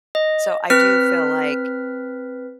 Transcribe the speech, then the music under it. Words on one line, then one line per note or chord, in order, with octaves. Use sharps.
So, I do feel like
D#5
C4 B4 F6 B6